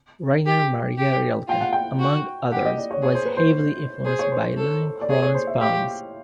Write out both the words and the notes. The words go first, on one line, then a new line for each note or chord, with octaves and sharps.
Rainer Maria Rilke, among others, was heavily influenced by Liliencron's poems.
G4
G4
F4 G5
F#5
G5
F#4
G4 F#5
D#5
D5
C#5
G#4 C#5
C5
B4
C5
G#4 C5
C#5
C5
A4
D5
G#4 C#5
C#5
C5
E5
G4 F5